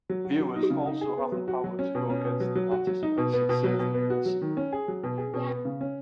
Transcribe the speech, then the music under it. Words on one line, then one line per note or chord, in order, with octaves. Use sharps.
Viewers also have the power to go against the participants and save the person.
F#3
F#4
F#3
D#4
C#3
D#4
G#4
B3
F#3
F#4
F#3
C#4
B2
C#4
B2
F#3
F#3
F#4
F#3
D#4
B2
B3
B2
F#3
B2
B3
F#4
F#3
D#3
C#4
G#4
F#3
B2
G#4
B2
B3
C#3
C#4